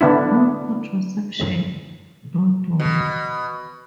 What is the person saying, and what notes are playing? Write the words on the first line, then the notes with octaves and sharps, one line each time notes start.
No Contraception, No Dole.
D3 B3 D4 E4
B2